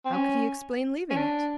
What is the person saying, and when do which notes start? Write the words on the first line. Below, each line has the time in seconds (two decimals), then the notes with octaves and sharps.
How could he explain leaving it?
0.05 C4
0.14 C#4
1.10 C#4
1.16 D4